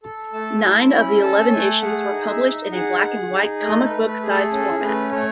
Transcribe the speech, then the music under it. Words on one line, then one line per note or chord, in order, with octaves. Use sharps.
Nine of the eleven issues were published in a black-and-white comic book-sized format.
A4
A3 A5
G#5
E4 A5
C#4 B5
A4 A5
A3 G#5
G#4 F#5
D#4
E5
D#4
G#4 F#5
G#4
D#4
A3 D#5
B4
A3
B4
G#4
A4
C#4 A4
A3 B4
A3 C#5